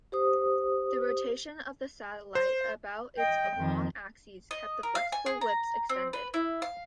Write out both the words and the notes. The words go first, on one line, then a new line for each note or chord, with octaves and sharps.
The rotation of the satellite about its long axis kept the flexible whips extended.
G4 C5 D#6
C5
D#5 G5
F2 D#3
D#5
A#4
F5
G#5
G#4
A#5
C4
B4
E4
F5